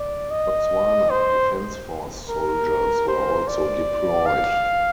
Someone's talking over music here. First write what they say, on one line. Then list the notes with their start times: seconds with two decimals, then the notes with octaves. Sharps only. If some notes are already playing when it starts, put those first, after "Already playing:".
Botswana Defence Force soldiers were also deployed.
Already playing: D5
0.31 D#5
1.10 C5
2.29 A#4
3.08 C5
3.48 D5
4.26 F5